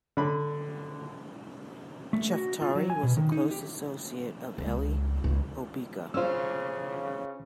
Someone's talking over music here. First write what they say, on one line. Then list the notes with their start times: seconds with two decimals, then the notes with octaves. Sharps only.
Chaftari was a close associate of Elie Hobeika.
0.17 D3 B5
2.13 A3
2.32 F#4
2.62 F4
2.75 F#3
2.90 G#5
3.03 B2
3.17 D#3
3.32 D#4
3.51 G4
4.58 C#2
5.24 C#2
6.14 C#3 C#4 F4 C5 E6